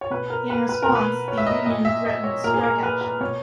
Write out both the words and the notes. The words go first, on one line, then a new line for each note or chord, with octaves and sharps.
In response, the Union threatened strike action.
C#5
B2 B4
A#4
B4
B4
A#4
B2
B4
C#5
E5
D#5
A#2 D#5
E5
D#5
C#5
A#2 A#4
G#4
A#4
B4
B4
B2 C#5